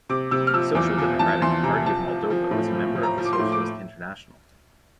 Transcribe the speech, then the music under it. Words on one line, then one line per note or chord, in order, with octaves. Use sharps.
Social-Democratic Party of Moldova was a member of the Socialist International.
C3 D6
C3 E6
F6
F3 E6
E2 D6
F3
E2 A5
E2 C6
C3 A#5
F3 A5
F3
F3
A2
F3
F3
A#5
F3
D6
C6
A2
D6